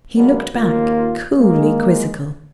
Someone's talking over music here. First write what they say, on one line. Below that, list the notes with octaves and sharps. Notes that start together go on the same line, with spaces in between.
He looked back, coolly quizzical.
D3 F#3 G#3 A#3 B3 D4
D#2 A#3 F4
G#3 A#3